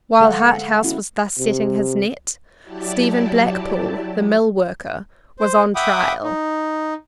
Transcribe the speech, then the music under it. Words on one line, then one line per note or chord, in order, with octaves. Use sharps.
While Harthouse was thus setting his net, Stephen Blackpool, the mill worker, was on trial.
D3 G#3 A4 F5 F#5
B3 C#4 E4 F#4
C3
F#3 E4 G4 D5 A5
C5
E5 F#5 G5 B5 D6 D#6
D#4